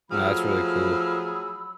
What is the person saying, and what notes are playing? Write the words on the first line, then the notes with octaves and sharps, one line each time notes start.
Nah, that's really cool.
F3 F#3 A3 G#4 B5 E6 F6